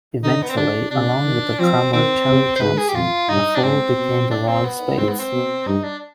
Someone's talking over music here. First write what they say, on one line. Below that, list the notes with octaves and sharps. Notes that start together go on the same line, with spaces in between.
Eventually, along with the drummer Terry Johnson, the four became the Royal Spades.
D3 D#4
B3
C4
D3 D4
C3 D4
D#3
F3 C4
D#3 C4
C3
C5
G#2 B4
G#4
G4
F2 F4
G2 D#4
D4
G#2 C4
B2
D4
C4
B3
G#2 C4
B3
C4
B2
G2 D#4
D4